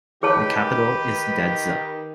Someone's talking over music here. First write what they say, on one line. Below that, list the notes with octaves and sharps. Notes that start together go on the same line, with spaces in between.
The capital is Dedza.
D#3 G4 G#4 B4 C#5 A5